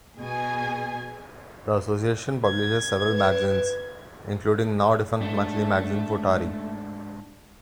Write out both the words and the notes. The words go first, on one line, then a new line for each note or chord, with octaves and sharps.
The association publishes several magazines, including now-defunct monthly magazine "Futari".
B2 G#4 G#5
G#6
B4
G#2 A3 D4 A4